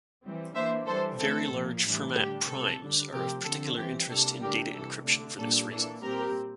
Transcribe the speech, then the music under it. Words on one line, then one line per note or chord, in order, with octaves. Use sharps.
Very large Fermat primes are of particular interest in data encryption for this reason.
E3 G3 C4
E3 A#3 D4 C5 E5
E3 G3 D4 A4 C5
E3 A3 C4 A4
A#2 F3 A#3
A2 E3 G3 D4
D3 G3 D4 G4
C3 G3 C4 A4
D3 G3 D4
C3 F3 A3 C4 G4 A#4
D3 F3 C4 A4
E3 G3 C4 G4
C3 G3 A#3 D4 A4
D3 A3 D4 G4 A#4
C3 E3 G3 A4
D3 A3 D4
A#2 G3 A#3 D4 A4
E3 A#3 D4 A4
A#2 G3 C4 G4 A#4